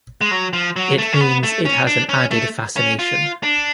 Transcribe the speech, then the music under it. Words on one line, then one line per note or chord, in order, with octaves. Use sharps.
It means it has an added fascination.
G#3
F#3
F3
F#3
A3
C#4
B3
A3
C#4
D4
C#4
A3
C#4
F4
D4